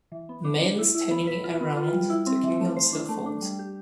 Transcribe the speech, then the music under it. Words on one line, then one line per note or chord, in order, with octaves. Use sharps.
Men standing around talking on cellphones.
E3
B3
D4
D4
E4
E4
B3
B4
F4
B3
F4
G3
E4
C4
E3
A3
C5
D4
A3
D4
G3
G4